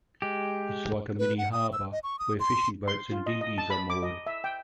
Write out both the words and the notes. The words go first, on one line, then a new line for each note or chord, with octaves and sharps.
It's like a mini harbor where fishing boats and dinghies are moored.
G#3 G4
B4
F#5
D#6
E6
D#5
C#6
D#6
C6
C6
F4
D#5
D#5
A5
B5
D6
D#5
E5
G5